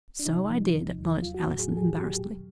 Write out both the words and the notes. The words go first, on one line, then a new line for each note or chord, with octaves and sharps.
"So I did," acknowledged Allison embarrassedly.
D4
C3 D#4
F3
E2
E2
F#3 F4
F#4
A2
G#4
A2 A4
G#4
G4
F#3 F#4
G4
B2